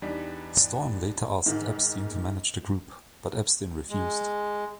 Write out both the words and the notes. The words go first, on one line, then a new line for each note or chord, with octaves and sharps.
Storm later asked Epstein to manage the group, but Epstein refused.
E2 G3 D4 D#4 B6
G#2 D#3
G#3